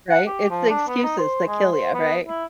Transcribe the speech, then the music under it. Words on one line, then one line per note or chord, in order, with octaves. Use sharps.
right? It's the excuses that kill you, right?
F#5
G4
F3
D4
B3
D#4
C5
G#3
C5
B3
E4